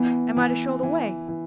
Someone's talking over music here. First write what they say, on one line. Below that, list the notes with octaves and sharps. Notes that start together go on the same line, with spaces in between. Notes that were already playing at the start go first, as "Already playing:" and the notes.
Am I to show the way?'
Already playing: E3 B3
E3
E3
E3